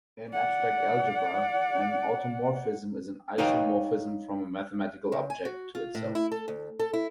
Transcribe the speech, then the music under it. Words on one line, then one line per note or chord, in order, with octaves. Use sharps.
In abstract algebra, an automorphism is an isomorphism from a mathematical object to itself.
D5 F#5
D#4 B4 C#5 D#5 F5 G5
C#3
G#5
F#4
F4
A2
E4
A4
D2
A4
E4